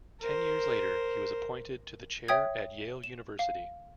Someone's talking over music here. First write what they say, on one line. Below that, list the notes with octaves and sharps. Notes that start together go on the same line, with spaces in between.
Ten years later he was appointed to the chair at Yale University.
A#4 C5
C#5 E5 G5 D#6 G#6
E7
F5